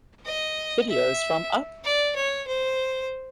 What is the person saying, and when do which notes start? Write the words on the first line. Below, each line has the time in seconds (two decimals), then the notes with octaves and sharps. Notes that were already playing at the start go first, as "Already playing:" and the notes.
Videos from Up!
0.26 D#5
0.89 E5
1.84 D5
2.16 C#5
2.47 C5